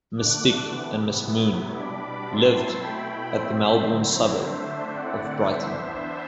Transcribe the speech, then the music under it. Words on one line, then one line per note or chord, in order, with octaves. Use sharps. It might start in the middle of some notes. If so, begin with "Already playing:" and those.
Miss Dick and Miss Moon lived at the Melbourne suburb of Brighton.
D3 A3 D4 D6 F#6
C3 E3 B3
C3 F#3 B3 E4
B2 G3 D4 B5 D6
F#3 C4 E4 A5 C6
B2 A3 E4 G5 B5
B2 A3 C4 C5 E5
D3 F#3 C4 E4
D3 A3 D4 C5 E5
D3 A3 C4 E4 D5 F#5
E3 B3 D4 C5 E5